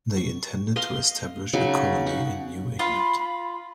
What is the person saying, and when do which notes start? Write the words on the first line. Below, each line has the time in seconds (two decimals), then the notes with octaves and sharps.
They intended to establish a colony in New England.
0.17 C#6
0.76 D#5 F5 C6
1.53 C#3 F#3 D#4
2.06 D#4 F#5 C#6
2.79 F4 B5